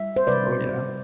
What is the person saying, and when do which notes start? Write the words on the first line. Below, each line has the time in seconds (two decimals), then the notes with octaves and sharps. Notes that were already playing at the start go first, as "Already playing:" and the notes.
Oh, yeah.
Already playing: G3 E5
0.16 C5
0.27 C3 G3 B4 D5